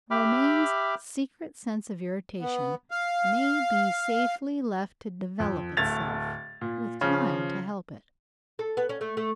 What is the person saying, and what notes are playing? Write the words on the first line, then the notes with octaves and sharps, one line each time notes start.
Romayne's secret sense of irritation may be safely left to develop itself, with time to help it.
G4 E5 G5 B5 D6 F6
B3
F5
F2
D1 A3 G#6 A6 F7
A#2
C#3 F3
A4
B3
C#4
A3
A3